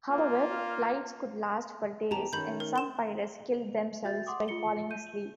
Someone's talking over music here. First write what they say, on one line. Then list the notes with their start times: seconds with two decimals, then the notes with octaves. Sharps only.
However, flights could last for days and some pilots killed themselves by falling asleep.
0.10 A#3 F4
2.11 E2 G4 A5 A#5
2.33 D#3 C#4 B5 G6
2.60 A#4
2.76 C6 E7
4.04 F#4 E5 G6 A6
4.26 F#5 C6 D6 D#6
4.48 F4 G#4 C#7 G7
4.91 G6 D#7